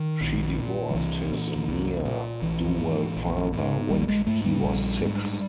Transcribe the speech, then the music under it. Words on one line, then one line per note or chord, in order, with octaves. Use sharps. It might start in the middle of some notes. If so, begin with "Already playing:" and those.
She divorced his ne'er-do-well father when he was six.
Already playing: D#3
A#1
A#2
F3
C2 E3
A#2
C2
A#2
A#1 E3
G#2
A#1
G#2
A#1 G3
G3
G#3
G#2 A3
G3
A#1
G#2